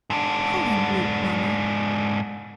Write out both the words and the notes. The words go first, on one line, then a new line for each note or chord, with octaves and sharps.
"Call him Luke, mamma."
G#2 D4